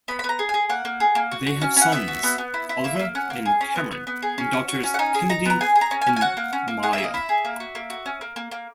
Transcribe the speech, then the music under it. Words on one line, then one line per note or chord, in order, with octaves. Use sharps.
They have sons - Oliver and Cameron, and daughters Kennedy and Maya.
B3 B5
B5
B3
A#5
G#4
G#5
G#4
A#3 F#5
A#3
G#4
A#3
F#4
F#4
C#4
C#4
F#5
B3 E5
F#4
B3
B3
E4
E4
A#3 E5
A#3
C#4 F#5
A#3
G#4
C#4
B3
B3
B3
G#4
C#4
F#4
F#4
C#4
F#5
D#4 G#5
G#4
D#4 A#5
B3 A#5
G#4 G#5
G#4
A#5
C#4
G#5
C#4
G#5
F#4 F#5
A#3
C#4
A#3
G#4 F#5
A#3 E5
D#5
E4 E5
G#4
A#3
F#4
A#3
F#4
C#4
A#3
A#3
A#3